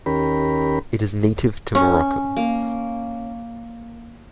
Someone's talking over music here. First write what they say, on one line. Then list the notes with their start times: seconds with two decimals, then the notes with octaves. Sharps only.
It is native to Morocco.
0.06 D#2 C#4 G4 A#4 B5
1.75 C#4
2.37 A#3